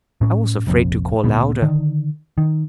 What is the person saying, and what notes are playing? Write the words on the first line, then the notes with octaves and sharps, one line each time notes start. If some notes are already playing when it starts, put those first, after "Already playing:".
I was afraid to call louder.
A2 C#4
F1 A#1 F2
D2 A#2 B3
D3 D#3
D#3